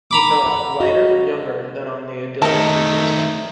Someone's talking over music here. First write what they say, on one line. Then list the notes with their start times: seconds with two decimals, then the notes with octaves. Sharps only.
He felt lighter, younger, than on the idyllic previous day.
0.11 A#5 B5 D6
0.44 E5 F#5
0.80 F#4 D#5
2.42 D#3 A3 A#4 D#5 E5 A5